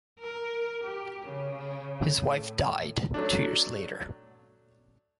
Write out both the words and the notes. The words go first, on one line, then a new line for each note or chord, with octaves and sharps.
His wife died two years later.
A#4
G4
C#3
A2
F#3 A3 D4